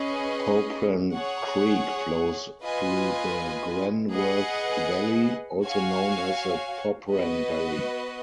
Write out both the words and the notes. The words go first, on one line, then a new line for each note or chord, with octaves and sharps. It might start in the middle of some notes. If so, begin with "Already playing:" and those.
Popran Creek flows through the Glenworth Valley, also known as the Popran Valley.
Already playing: C#4 G#4 B4 D#5
G#4 C#5 F#5
F4 B4 D#5 G#5
G#4 B4 D#5 F#5
F#4 C#5 F5 G#5
B3 F#4 B4 D#5